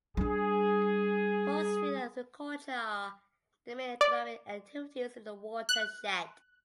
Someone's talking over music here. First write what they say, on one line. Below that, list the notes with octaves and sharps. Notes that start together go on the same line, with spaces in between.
Forestry and agriculture are the main economic activities in the watershed.
G3 D4 G#4
D5
F#6